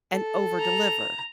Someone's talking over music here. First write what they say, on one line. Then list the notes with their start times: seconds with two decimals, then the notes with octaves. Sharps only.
and overdeliver.
0.14 A4
0.59 A#5